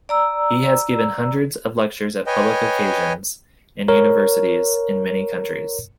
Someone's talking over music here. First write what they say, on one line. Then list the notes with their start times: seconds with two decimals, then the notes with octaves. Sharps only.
He has given hundreds of lectures at public occasions and universities in many countries.
0.09 D5 A#5 E6
2.27 B4 C#5 D#5 G5 G#5
3.88 A#4 C#5